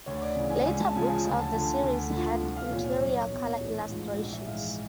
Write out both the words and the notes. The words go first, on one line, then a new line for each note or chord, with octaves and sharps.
Later books of the series had interior color illustrations.
D2 C#5
D5
C#3 E3
G#5
C#2 G#5
A5
C#3 F3 G#5
G#5
D2 A5
A5
D3 F3 G#5
G#5
D2
D3 F3
C2
F5
A#2 F3 C#5
C#5
B1
B2 F#3
A1
G#2 F3
A#1 D#5
E5
G#2 E3 F5